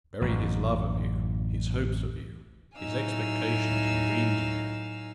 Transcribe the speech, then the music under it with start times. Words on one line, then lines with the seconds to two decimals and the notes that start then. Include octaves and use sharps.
Bury his love of you, his hopes of you, his expectations and dreams of you.
0.22 A1 F#2
2.77 A2 F#3 D#4 F5 G#5 E6